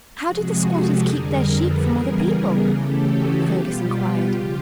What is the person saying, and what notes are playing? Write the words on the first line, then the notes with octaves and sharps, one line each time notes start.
"How did the squatters keep their sheep from other people?" Fergus inquired.
C3 F3 G#3 F#4 G#4
G4 A4
F2 D3 G3 G#4 A#4
A4 B4
C#3 E3 G3 B3 G#4 A#4
C#3 E3 A3 C#4 G4 A4
F#4 G#4
B2 G3 B3 F4 G4
C#3 F3 F4 G4